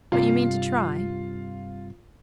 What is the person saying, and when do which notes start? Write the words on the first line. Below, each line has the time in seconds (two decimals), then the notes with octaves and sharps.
"But you mean to try?"
0.12 G2 C3 F4